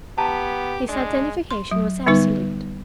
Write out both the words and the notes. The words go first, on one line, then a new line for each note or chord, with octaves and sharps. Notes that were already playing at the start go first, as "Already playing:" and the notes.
His identification was absolute.
B3 G4 A5 A#5
G#3 D4
C6
F#3
D3 G3 B3 D#4 B4